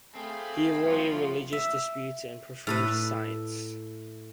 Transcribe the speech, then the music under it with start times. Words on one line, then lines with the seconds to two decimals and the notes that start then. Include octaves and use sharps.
He avoided religious disputes and preferred science.
0.15 A3 C4 G#4 F5 B5
0.84 F3 F#3 F4
1.53 E5
2.67 A2 A4 B4